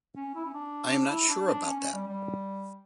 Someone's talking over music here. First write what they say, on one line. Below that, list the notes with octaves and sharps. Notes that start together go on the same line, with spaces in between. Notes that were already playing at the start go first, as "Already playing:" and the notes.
I am not sure about that.
C#4
E4
C#4
D4
E4
D4
D4
C#4
C#4
G3
G3